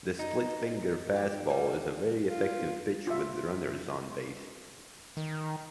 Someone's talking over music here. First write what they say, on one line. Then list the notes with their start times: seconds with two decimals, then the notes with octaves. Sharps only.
The split-finger fastball is a very effective pitch with runners on base.
0.19 D#4
1.16 G4
1.50 G3
2.29 F4
3.07 F4 E5
5.17 D#3